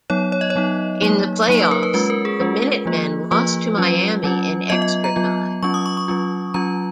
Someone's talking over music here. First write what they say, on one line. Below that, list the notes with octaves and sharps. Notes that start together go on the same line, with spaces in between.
In the playoffs the Minutemen lost to Miami in extra time.
F#3 B3 D#4 C#5
C#5
D#5
C#5
F#3 B3 D#4
F#3 A#3 D#4
F#3 A#3 D#4
B4
A#4
B4
G#3 C#4 F4 B4
A#4
G#4
G#3 C#4 F4
F3 A#3 F4
F3 A#3 F4 B4
F#3 C#4 F4
F#3 C#4 F4
F#3 B3 F4 D#5
D#5
A#5
F#3 B3 F4
F#3 C#4 F4 C#6
D#6
C#6
C#6
F#3 C#4 F4
F#3 C#4 F4 A#5